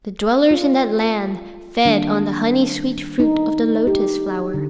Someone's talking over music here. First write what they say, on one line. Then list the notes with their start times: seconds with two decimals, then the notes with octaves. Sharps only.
The dwellers in that land fed on the honey-sweet fruit of the lotus flower.
0.51 F4
1.85 D#3 G3 A#3 D4
3.20 D#4
3.87 G4
4.54 D3